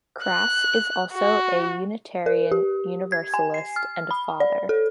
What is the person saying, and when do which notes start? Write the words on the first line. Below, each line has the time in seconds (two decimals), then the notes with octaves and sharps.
Crass is also a Unitarian Universalist and a father.
0.25 F#6
1.14 F#4
2.26 A#4
2.52 G4
3.12 G#6
3.34 G#5
3.54 C7
3.76 F6
4.11 B5
4.40 D5
4.69 A4